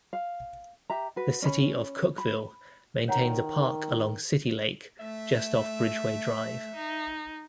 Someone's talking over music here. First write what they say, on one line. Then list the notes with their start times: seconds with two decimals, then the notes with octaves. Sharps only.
The City of Cookeville maintains a park along City Lake just off Bridgeway Drive.
0.13 F5
0.90 G4 E5 A#5
1.16 F#4 B4
1.42 C#4 D5 B5
2.18 B5
3.08 D#3 C#5 F#5 A#5
5.00 A3 E5
6.76 D#4